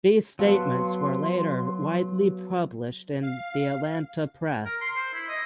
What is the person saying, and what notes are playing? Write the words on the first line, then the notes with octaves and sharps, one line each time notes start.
These statements were later widely published in the Atlanta press.
F#3 B3 B4 F5 F#5 A5 C6
F5
A#4
C6
C5
E4
D#5